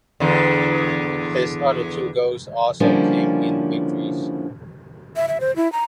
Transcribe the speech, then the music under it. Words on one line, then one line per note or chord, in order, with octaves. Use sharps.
His other two goals also came in victories.
E2 D3
D3 F3 G3 A#3 C#4 E4
E5
E5
C5
E4
A#5